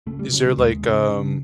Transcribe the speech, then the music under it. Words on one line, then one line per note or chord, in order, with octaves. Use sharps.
is there like, um,
C#3 A3
G3
C#3 F#3
G3
D#2 G#3
C#3
C#3